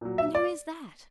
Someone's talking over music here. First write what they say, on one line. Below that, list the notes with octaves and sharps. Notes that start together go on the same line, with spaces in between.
And who is that?
A#2 F#3
E5
D5